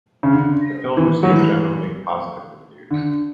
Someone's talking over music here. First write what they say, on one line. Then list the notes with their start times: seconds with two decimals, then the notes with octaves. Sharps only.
The film received generally positive reviews.
0.23 C#3
0.33 D3
0.97 E3
1.23 F#3
1.29 E3
2.91 D3